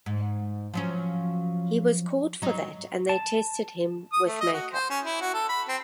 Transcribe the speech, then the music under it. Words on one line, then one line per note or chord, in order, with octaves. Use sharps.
He was called for that and they tested him with makeup.
G#2
F3 F#3 C#4
F#3 D#4
A5
D#6
A3
D#5
F#4
C5
C#4
E4
F#4
A4
B5
C4